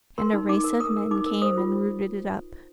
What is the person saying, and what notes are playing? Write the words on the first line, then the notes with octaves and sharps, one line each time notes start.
And a race of men came and rooted it up.
A#4 C6
D#4
D#4 D6
A#4
A#4 D#6
A#4
D#4 D6
A#4
C5 D#6
F4